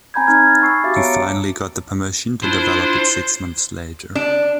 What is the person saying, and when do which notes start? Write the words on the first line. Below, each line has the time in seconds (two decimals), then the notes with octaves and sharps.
He finally got the permission to develop it six months later.
0.14 C4 G#5 A#5 B5 G6 G#6
0.27 C4 D#4 F6 G#6
0.47 F6 A6
0.60 G#5 A5 B5 C#6 E6 C7
0.84 F#4 G4 E5 F5 D6 A6
0.96 B3 C#5 A5 A#5 C#7 D7
2.43 D4 E4 F4 C5
4.15 D4